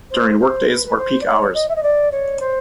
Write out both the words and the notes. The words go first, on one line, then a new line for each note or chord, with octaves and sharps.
During workdays or peak hours.
C5
C5
B4
B4
C5
D5
C#5
D#5
E5
D#5
D5
C#5
C5